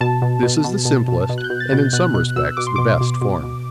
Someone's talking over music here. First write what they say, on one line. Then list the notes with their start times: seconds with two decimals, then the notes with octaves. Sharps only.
This is the simplest, and in some respects the best, form.
0.01 B2 A5
0.22 B2
0.43 B2
0.64 B2
0.85 B2
1.08 B2
1.29 B2
1.38 F#6
1.44 G6
1.50 B2
1.60 A6
1.72 B2
1.77 G6
1.93 B2 F#6
2.14 B2 F#6
2.36 B2 E6
2.57 B2 D6
2.67 C6
2.76 B2 D6
3.01 B2
3.21 B2
3.43 B2